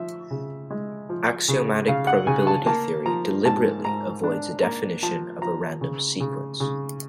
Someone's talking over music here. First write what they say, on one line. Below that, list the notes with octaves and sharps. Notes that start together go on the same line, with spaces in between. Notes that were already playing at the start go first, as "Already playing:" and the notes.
Axiomatic probability theory "deliberately" avoids a definition of a random sequence.
Already playing: F3 E5
C#3
G#3
F3
C#3
C#3 F5
F#5
C#3 G#5
A5
A#3 A5
F3 A#5
G#2 A5
G#2 A#5
D4
A#3 A#5
F3 A5
F3 A#5
C#3
C#3
C#3